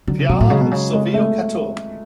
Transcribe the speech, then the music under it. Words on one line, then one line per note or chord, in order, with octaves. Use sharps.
Theard and Silvio Cator.
D3 F#3
C#3
B2 F#3
A2
C#3 G#3
B2
C#3
G#3
A3